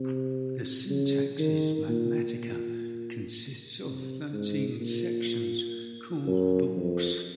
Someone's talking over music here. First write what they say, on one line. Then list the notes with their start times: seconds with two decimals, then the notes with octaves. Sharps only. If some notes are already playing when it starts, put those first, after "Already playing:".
The "Syntaxis Mathematica" consists of thirteen sections, called books.
Already playing: C3
0.90 C#3
1.39 D#3
1.88 A#2
2.37 A#2
3.84 C3
4.33 G#2
4.81 A#2
6.27 F#2
6.76 F2